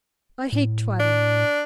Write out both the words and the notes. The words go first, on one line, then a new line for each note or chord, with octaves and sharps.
I hate twaddle.
A2
D4